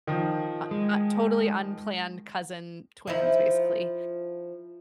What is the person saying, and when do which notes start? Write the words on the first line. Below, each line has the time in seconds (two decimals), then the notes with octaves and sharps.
uh, a totally unplanned cousin twins, basically.
0.07 D#3 F3
0.71 G#3
3.07 F3 D#4 E4